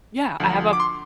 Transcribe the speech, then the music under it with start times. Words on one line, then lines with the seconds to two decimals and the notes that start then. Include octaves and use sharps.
Yeah, I have a
0.40 D2 D3 F3
0.73 D6
0.80 C6